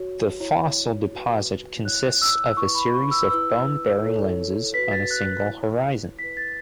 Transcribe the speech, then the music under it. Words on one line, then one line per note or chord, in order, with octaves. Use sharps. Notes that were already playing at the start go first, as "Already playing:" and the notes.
The fossil deposit consists of a series of bone-bearing lenses on a single horizon.
Already playing: F#4 C#5
E4 C#5
F#4 B4
E4 C#5 F#6
E6
E4 B4 C#6
B5
C#6
E6
E4 B4 E6
E4 A4 C#5
F#4 B4 B6
A6
F#6
E4 C#5
E4 B4 B6
A6